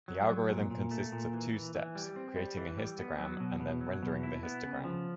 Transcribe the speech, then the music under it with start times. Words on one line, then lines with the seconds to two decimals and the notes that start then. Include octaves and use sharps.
The algorithm consists of two steps: creating a histogram and then rendering the histogram.
0.08 F#3
0.29 F#3
0.49 A#2
0.71 A#2
0.91 A3
1.12 A#2
1.33 E3
1.53 E3
1.75 E3
1.95 G3
2.16 C4
2.36 G3
2.57 E3
2.77 G3
2.99 B3
3.19 F#3
3.40 B2
3.60 B2
3.81 F#3
4.03 B2
4.23 E4
4.43 B3
4.64 C#3
4.84 F3